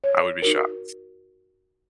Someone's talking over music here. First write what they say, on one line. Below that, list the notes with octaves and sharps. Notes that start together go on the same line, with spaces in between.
I would be shocked.
C#5
D#4 F#4 A#4